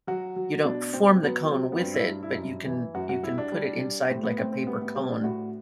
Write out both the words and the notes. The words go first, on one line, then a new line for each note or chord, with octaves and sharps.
You don't form the cone with it, but you can you can put it inside like a paper cone
F#3 F#4
F#3
B2 D4
B2 C4
F#3 B3
F#3 C4
B3
G2 C4
E4
G2
E4
F#2
E3
F#2 F#4
F#4
G3 E4
D4
G3
G3
A2 C4
B3
A2 C4
C4
G3 B3
B3
G3 C4
D4
A2 F#4